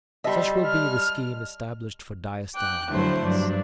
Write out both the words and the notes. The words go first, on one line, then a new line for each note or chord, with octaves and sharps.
Such will be the scheme established for diastyle buildings.
G3 D#5 E5 A5 C6
F6
G5 D6 F#6
D3 F3 F#3 A3 E4 C5
G2 F3 F#3 D4